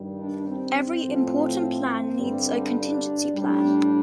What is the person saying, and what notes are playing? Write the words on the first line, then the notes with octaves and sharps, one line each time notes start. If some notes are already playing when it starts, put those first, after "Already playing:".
Every important plan needs a contingency plan.
Already playing: G2 D#3 G3
D4
C4
A2 F3
G2 D3 G3
D4
A2 G3 D4